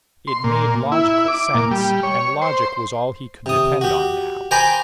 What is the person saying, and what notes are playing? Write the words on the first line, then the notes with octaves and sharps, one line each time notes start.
It made logical sense--and logic was all he could depend on now.
C6
A#2
E4
D6
A#2
G3
C#5
C5
C3 D#6
F#4 G4
C5 G5 G#5 A#5 B5 D6